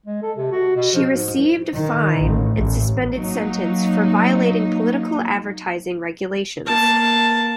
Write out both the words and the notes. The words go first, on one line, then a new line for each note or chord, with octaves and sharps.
She received a fine and suspended sentence for violating political advertising regulations.
G#3
A4
C3
F#4
B2
F3
G#2
C2
D#3
A1
A1
F#3 A#3 D#4
A#3 A5